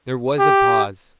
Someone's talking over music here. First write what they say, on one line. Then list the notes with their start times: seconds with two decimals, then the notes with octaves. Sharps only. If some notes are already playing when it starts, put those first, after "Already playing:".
There was a pause.
0.39 G4